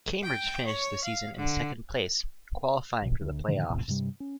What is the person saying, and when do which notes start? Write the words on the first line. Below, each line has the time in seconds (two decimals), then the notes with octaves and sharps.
Cambridge finished the season in second place, qualifying for the play-offs.
0.23 G5
0.67 C#5
1.04 F5
1.37 D3
3.02 A#1 B2
3.21 D2
3.48 A2 D3 D#3 F3
3.70 A#1 E2 A2 C3
3.88 G2 C3 G3
4.20 C#4